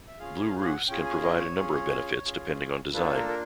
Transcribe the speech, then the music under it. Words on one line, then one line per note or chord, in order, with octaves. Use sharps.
Blue roofs can provide a number of benefits depending on design.
E5
C#4 F4 G#4 F5
F5
F5
F#5
C#4 F4 G#4 G5
G#5
D#5
C#5
C#4 F4 G#4
C#4 F4 G#4
A#3 D4 F4 A4 B4
A#4
A#4